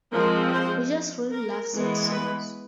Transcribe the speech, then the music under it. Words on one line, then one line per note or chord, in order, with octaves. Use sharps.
We just really love sad songs.
F3 G#3 C4 A#4
C5
A#4
E3 G#3 B3
B4